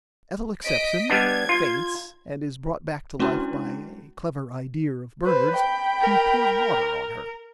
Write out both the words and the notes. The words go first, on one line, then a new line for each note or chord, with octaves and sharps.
Ethel accepts him, faints and is brought back to life by a clever "idear" of Bernard's, who pours water on her.
D#5 B6 D7
G3 B3 D4 G#6
F4
G#3 C#4 D4 E4 F#4
B4 C5
G5 B5
A#4